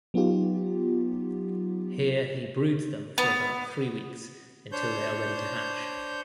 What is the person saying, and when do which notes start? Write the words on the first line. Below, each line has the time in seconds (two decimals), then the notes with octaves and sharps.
Here he broods them for about three weeks until they are ready to hatch.
0.14 F#3 B3 D#4 F4 G4
3.18 B3
4.72 D4 C5 C#5 G6